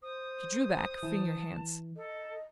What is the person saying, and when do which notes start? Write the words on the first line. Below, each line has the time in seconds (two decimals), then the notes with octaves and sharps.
She drew back, freeing her hands.
0.03 C5 D#6
1.03 E3 A5
1.96 A4 D#5